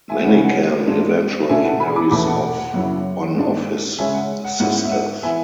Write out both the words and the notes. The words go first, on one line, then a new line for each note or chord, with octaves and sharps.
Manikkam eventually marries off one of his sisters.
E5 G#5
C#3 G#3 C#4 E4 F#5
G#5
F#5
G#2 E3 G#3 D4
B2 A3 D4 E5 G#5
F#5 A5
G#5 B5
B5 D6
E2 B2 A3 C#4 B5 D6
F#5 A5
F#5
F#5
F#2 C#3 F#3 C#4 E4 F#5
G#2 G#3 D4
C#3 G#3 C#4 E5 G#5
F#5
F#5
G#2 G#3 C#4 E4 F#5
E5
F#5
E3 B3 E5 G#5